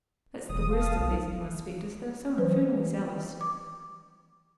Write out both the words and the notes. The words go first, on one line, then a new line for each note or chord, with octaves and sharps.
That's the worst of these new inspectors, they are so infernally zealous.'
E1 D#6
F5 A5 D#6
B1
E3 F#3 B4 C5
D6